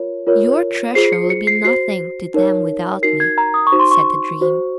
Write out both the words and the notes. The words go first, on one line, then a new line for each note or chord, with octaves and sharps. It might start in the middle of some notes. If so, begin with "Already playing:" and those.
"Your treasure will be nothing to them without me," said the dream.
Already playing: F4 A#4 C#5
F4 A#4 C#5
F4 G#4 C5 C7
C#7
C#7
C7
F#4 C5 C7
D#4 A#4 C#5
D#4 F#4 A#4 C7
G#6
A#5
D#6
C#6
D#4 F#4 C5
C6
C#6
F#4 C5